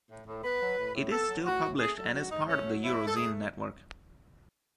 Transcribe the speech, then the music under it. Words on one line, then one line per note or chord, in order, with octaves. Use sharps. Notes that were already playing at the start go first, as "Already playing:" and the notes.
It is still published, and is part of the Eurozine network.
A2
A2
B3 B4
F#3
A2
A2
B3 A4
F#3
A2 F#4
A2
A3 G#4
F#3 A4
G#2 F#4
G#2 D#4
A3 C#4
F#3
G#2 E4
G#2
A4
A3 G#4